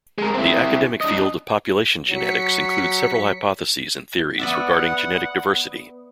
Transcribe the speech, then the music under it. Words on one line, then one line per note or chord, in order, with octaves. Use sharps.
The academic field of population genetics includes several hypotheses and theories regarding genetic diversity.
G#3 A#4
C4 E4
D4 D#5
F#3 B6 C#7
B3 D5 E5 F#5